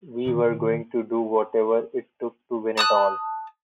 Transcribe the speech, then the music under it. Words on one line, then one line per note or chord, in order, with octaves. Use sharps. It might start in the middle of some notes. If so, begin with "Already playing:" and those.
We were going to do whatever it took to win it all.
A#2 D3 D#3
A5 D#6 F#6